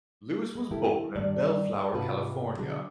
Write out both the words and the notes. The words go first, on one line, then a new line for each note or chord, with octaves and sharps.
Lewis was born in Bellflower, California.
G#3
E4 G4 A4 A#4
G2 D#3 G3 D5
G#2 C3 F4 F#4 B4 A5
B2 D3 F#3 G#4